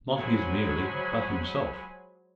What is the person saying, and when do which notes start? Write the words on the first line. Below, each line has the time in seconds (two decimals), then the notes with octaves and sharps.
Not his merely, but himself.
0.18 F3 F#3 G#3 C5 G#5 B5